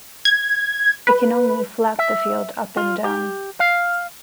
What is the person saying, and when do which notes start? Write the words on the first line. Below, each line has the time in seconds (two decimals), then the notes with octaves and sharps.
It can only 'flap' the field up and down.
0.25 G#6
1.07 B4
1.99 E5
2.77 F4
3.04 G4
3.60 F5